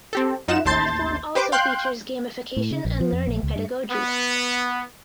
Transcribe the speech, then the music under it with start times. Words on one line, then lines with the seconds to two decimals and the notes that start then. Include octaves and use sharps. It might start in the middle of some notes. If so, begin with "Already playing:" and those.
The platform also features gamification and learning pedagogies.
0.13 C4 G4 A4
0.48 F#2 D#4 F4 F#5 E7
0.65 A1 D#2 A5 C6 G6 A6
1.35 G4 B4 C5 D6
1.52 F5 G5 C6 F#6 G6
2.57 A2
2.71 C#3
2.85 A#1
3.00 F3
3.12 F2
3.27 A#1
3.43 C#2
3.56 G2
3.91 B3